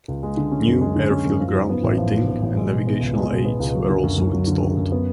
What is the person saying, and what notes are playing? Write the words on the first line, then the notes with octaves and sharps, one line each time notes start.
New airfield ground lighting and navigational aids were also installed.
C#2
G#3
D3
C#4
F#2
G#3
D3
C#4
F#2
F3
G#2
B3
A1
F3
G#2
B3
A1
G#3
B2
B3
C#2
G#3
B2
B3
C#2
F#3
D3
F#2
F#2
F#3
D3
F#2
F#2
B3